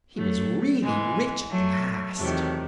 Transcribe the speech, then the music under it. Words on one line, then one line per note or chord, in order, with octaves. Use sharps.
He was really rich at last.
F#3 A3
G#2 E3 G#3
F#3 A3
E2 C3 D#3 F#3 A3